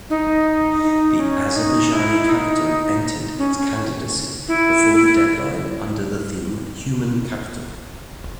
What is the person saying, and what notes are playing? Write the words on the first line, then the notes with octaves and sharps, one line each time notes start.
The Azerbaijani capital entered its candidacy before the deadline under the theme "Human Capital".
D#4
D#4
C#4
D#4
E4
D#4
C#4
C#4
E4